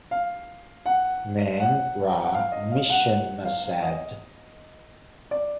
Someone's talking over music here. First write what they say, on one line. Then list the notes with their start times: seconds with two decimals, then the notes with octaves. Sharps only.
Man ra mishenasad.
0.11 F5
0.86 F#5
1.60 F#5
2.23 F#5
2.34 F5
2.52 D#5
2.71 F5
2.90 F#5
3.45 F5
3.64 F5
3.83 D#5
5.31 D5